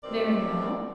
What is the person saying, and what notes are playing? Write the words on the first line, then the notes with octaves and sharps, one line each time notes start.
'Very well.
G2 B2 D#3 C4 A#4 D5